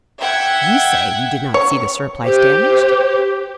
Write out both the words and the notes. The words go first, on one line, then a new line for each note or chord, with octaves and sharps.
"You say you did not see the surplice damaged?"
E5 F#5 G5 G#6
C#5
G4 C5